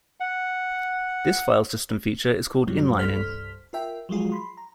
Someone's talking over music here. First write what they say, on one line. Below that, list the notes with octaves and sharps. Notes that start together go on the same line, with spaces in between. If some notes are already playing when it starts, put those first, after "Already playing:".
This file system feature is called inlining.
F#5
F#2 B2 F#3 G3
C2 G2 A4 C5 F6 B6
F4 A#4 E5 G5
F3 F#3 G#3 F4 G#4
B5 C6
A#5